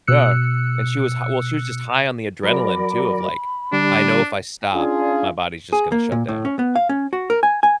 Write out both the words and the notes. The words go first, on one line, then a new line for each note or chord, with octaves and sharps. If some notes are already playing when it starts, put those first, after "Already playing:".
Yeah, and she was hi well, she was just high on the adrenaline too, of, like, "I know if I stop, my body's just gonna shut down."
B2 E6 F#6 C#7
F#3 A#4 D5 B5
D3 G3 D4
C#4 D4 F4 G#4
G#4
A#3
A#2
A2
C#4
B3
F5
C#4
F#4
A#4
G#5
G#5